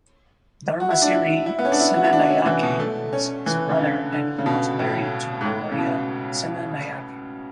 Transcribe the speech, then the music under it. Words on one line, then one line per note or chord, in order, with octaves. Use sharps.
Dharmasiri Senanayake was his brother and he was married to Gloria Senanayake.
F#4
E4
D4
E4
E4
B3
C#4
D4
E4
F#4
E4
D4
C#4
E3
B2
A3
C#4
E3
C#3
D3
D3
C#3
B2
A2
G#2
A2
C#3
B2